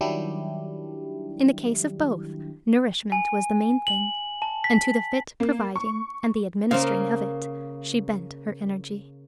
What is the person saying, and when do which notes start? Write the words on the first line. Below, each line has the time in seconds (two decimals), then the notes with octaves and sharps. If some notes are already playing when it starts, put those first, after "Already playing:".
In the case of both, nourishment was the main thing; and to the fit providing and the administering of it she bent her energy.
0.01 D#3 F#3 G3 D4 E4 G4
3.12 G#5
3.87 F#7
4.42 A5
4.64 B6
5.40 A#3
5.76 C#6
6.71 C#3 A#3 C5 F5